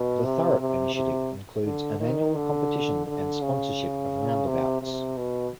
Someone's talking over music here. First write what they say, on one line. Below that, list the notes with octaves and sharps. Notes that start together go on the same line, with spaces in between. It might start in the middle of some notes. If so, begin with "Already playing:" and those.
The Thurrock initiative includes an annual competition and sponsorship of roundabouts.
Already playing: B2
C3
C3
C3
D3
D#3
D3
D3
C#3
C3
C3
B2